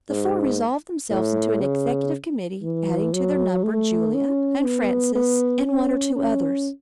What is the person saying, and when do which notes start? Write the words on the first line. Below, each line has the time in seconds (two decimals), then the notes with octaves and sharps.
The four resolved themselves into an executive committee, adding to their number Julia, and Frances and one or two others.
0.09 G#2
1.10 A2
1.61 C#3
2.63 E3
3.13 F#3
3.64 A3
4.14 C#4
4.65 B3
5.15 B3
5.66 C#4
6.16 C#4